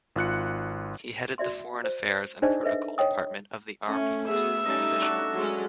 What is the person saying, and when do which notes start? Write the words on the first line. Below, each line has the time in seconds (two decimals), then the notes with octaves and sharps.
He headed the Foreign Affairs and Protocol department of the Armed Forces Division.
0.16 G#1 F4 F#6 C#7
1.38 F#4 D5 E5 C6
1.84 C5
2.42 D4 D#4 G#4 C5 D5 D#5
2.63 A4 B4 D#5 E5
2.98 C#5 D#5 G5 D#6
3.88 A3 C#4
4.28 B3 F#4 G#4 E5
4.65 G3 C#4 D#4 D#5 A5
5.02 D4 F#4 A4
5.33 F#3 G#3 C#4